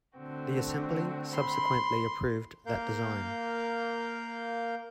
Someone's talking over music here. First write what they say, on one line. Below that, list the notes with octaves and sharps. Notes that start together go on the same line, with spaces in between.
The assembly subsequently approved that design.
D3 A3 C4 F#4 G5
B5 C6
A#3 A#4 F5 G6